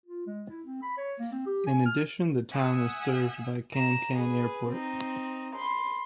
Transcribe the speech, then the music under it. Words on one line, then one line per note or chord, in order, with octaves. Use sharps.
In addition, the town is served by Kankan Airport.
F4
G#3
E4
C4
B5
C#5
A#3
C4
G4
G#5
F6
E5 F#5 G#5 D#6 E6
A#5 E7
G#4 B4
C4 D#4
B5 C6